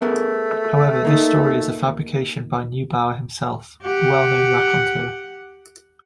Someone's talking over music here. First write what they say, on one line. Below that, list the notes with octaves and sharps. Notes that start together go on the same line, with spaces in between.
However, this story is a fabrication by Neubauer himself, a well-known raconteur.
A3 B3 G#4 A#4
A#3 D#4
G4 F#5